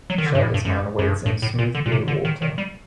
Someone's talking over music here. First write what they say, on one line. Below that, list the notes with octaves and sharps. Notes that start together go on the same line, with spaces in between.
A shirtless man wades in smooth blue water.
F#3
D#3
D3
G2
A2
G2
F#2
F#2
G2
G2
A2
A#2
D3
A#2
C3
D3
D#3
D#3
G3